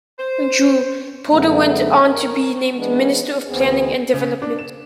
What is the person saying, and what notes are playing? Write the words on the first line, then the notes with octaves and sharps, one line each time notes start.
Drew, Porter went on to be named Minister of Planning and Development.
C5
F#2 D3 G#3 A3 B3
A#4
E3 G#3 B3 D4
D2 E3 B3 C4 G#4
C#3
D4
E7